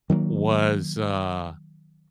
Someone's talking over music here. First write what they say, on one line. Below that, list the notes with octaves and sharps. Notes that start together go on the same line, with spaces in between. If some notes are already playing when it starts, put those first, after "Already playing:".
was, uh,
D#3 F#3 G3 A#3